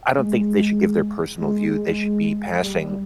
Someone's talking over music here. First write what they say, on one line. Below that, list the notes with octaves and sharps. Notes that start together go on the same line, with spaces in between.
I don't think they should give their personal view, they should be passing
G#3
G#3
G3